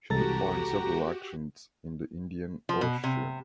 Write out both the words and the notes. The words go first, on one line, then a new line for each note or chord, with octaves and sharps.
She took part in several actions in the Indian Ocean.
C2 E3 G#3 F#4 G4 A4 A#5 A6
F3
B2
C3